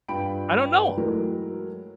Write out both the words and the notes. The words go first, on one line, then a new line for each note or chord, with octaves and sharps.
I don't know 'em,
G2 F4 G5 B5 D7
E3 F#3 G#3 A3 A#4